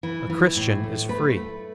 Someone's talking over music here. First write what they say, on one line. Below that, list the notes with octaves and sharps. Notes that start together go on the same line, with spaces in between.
A Christian is free.
E3
E3
A2
A3
A3 B4
A3